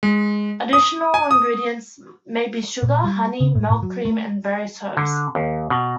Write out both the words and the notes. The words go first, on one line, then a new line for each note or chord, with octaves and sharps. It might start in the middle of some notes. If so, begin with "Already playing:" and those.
Additional ingredients may be sugar, honey, milk, cream, and various herbs.
G#3
D#6
G#5
D#6
A#2
G3
C#3
A2
A2
F#3
A3
D3
D#2
B2